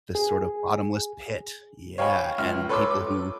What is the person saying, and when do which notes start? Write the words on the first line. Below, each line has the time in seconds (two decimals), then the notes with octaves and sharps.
this sort of bottomless pit Yeah, and people who
0.15 G#4
1.98 C#5 F5 G5 G#5 B5 C#6
2.38 C#2 E5 F6
2.69 A4 B4 C#5 C6 D6 E6
2.91 D6